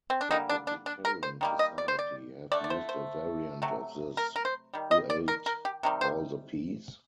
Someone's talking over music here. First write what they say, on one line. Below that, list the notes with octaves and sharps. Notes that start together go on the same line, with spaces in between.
The Vegetarian Society have used a variant of this, Who ate all the peas?
C4
D4
D3 G3 A#3 D#4
D4
D4
D4
A#4
C5
D#3 G3 A#3
D#5
D5
C5
D5
D3 A3 D5
D5
C5
C5
C3 F#3 A3
A#4
A#4
C5
D#3 G3
D#5
D5
A#4
A#4
G4
C3 D#3 G3
C5